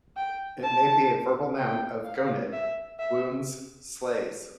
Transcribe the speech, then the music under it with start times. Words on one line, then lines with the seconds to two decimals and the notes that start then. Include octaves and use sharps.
It may be a verbal noun of "gonid" 'wounds, slays'.
0.17 G5
0.63 A5
1.58 G5
2.05 F5
2.53 E5
2.99 E5